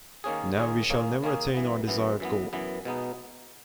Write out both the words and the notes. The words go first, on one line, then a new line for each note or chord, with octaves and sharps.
Now we shall never attain our desired goal.
D#3 A#3 C#4 G#4
D#3 A#3 C#4 G#4
D#3 A#3 C#4 G#4
D#3 A#3 C#4 G#4
F#2 E3 B3
F#2 E3 B3
F#2 E3 B3
F#2 E3 B3
B2 G#3 B3 D#4